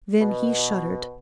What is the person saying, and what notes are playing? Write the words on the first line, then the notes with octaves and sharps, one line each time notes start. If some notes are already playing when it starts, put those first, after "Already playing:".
Then he shuddered.
B2